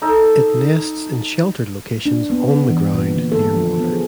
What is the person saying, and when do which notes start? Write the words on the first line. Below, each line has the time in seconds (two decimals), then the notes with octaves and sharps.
It nests in sheltered locations on the ground near water.
0.02 D#4 A4
2.06 D4
2.30 B3
2.70 E3
2.94 A#2
3.16 D3
3.32 A4
3.56 F3
3.78 B3
3.93 G#4